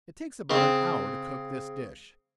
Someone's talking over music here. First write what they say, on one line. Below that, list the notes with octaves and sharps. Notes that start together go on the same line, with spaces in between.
It takes about an hour to cook this dish.
C#3 C4